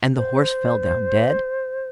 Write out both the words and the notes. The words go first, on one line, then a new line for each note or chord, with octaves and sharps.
And the horse fell down dead.
C5